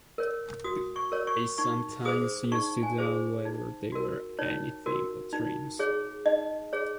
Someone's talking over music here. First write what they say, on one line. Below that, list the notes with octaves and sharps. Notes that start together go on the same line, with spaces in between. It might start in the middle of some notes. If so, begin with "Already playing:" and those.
I sometimes used to doubt whether they were anything but dreams.
A#4 C#5
F#4 D#6
C#6
A#4 C#5
C#6
D#4 C#6
G#4 C5 D#6
D#4 C#6
G#5
G#4 C5
D#4
F#4 A#4
D#4 C#5
F#4 A#4
D#4
G#4 C#5
D#4 D#5
G#4 C#5